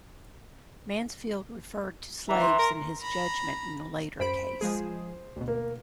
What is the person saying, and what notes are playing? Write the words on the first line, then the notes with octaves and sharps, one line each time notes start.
Mansfield referred to slaves in his judgment in a later case.
E3 A#5
C6
A#4
A#5 B5
F#2 C5 B5 D7
F3 G#3 G#4
D2 B2
A#3